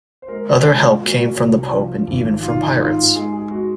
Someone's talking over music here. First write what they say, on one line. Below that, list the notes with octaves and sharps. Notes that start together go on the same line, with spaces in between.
Other help came from the Pope and even from pirates.
C5
G#3 A#4
G#4
G#3
F4
A#2 F#4
C2
F3
G#1
G#2 F4
D#4
G#2 F4
F4
G#3 G#4
G#4
G#3 F#4